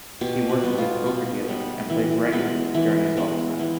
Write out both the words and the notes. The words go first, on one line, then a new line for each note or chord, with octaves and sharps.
He worked as a poker dealer and played regularly during his off time.
B2 G4
F#4
G3 B3
F4
B2 F#4
G3 B3
E3
G#3 B3
E3
G#3 B3
E3